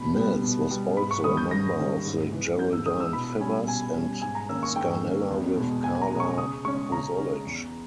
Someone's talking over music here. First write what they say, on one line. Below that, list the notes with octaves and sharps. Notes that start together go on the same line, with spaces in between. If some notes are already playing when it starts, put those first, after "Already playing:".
Nels was also a member of the Geraldine Fibbers and Scarnella with Carla Bozulich.
Already playing: B2 B5
G3 B3
B2
G3 B3
G#2 B5
C#6
D#3 G3 C#4 D#6
G6
G#2 A#6
D#3 G3 C#4
G#2
E3 G#3 B3
G#2 G6
E6
E3 G#3 B3 D#6
E6
B2 B5
G3 C#4 G#5
B2 G#5
G3 C#4
G#2 G#5
A#5
D#3 A#3 C#4 E6
C#6
G#2 G5
D#3 A#3 C#4
E2
B2 G#3
E2 G#5
A#5
B2 G#3
C#6
C#3 D#6
G#3 C#4 C#6
C#3 A#5
G#3 C#4
E2